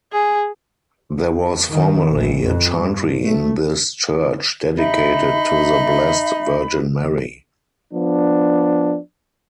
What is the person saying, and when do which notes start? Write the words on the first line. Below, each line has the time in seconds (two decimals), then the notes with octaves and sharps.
There was formerly a chantry in this church, dedicated to the Blessed Virgin Mary.
0.13 G#4
1.70 D#3
2.12 A#1
2.45 F2
2.79 G2
3.26 A3
4.78 D#4 E5 B5
7.92 F3 B3 D4